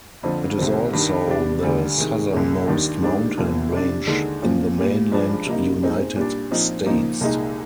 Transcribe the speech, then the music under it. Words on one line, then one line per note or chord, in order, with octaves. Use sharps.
It is also the southernmost mountain range in the mainland United States.
F2 D3 F3 C4
C2 C3 D#3 G3 C4
G2 D#3 G3
C3 G3 D4
D2 D3 G3
C3 D#3 G#3
C2 A#2 G#3
D#2 D#3 G3 D4
G#2 D#3 G3 D4
C2 A#2 F3
C3 G3 D4
D#2 D3 G#3 D#4
A#2 F3 A#3
A#2 G3 A#3
G2 F3 G#3 D4
C3 G3 A#3 D#4
A#2 G#3 C4 D#4
A#2 G3 D4
A#2 F3 C4 D#4
A#2 F3 A#3 D#4
C2 A#2 G#3 D#4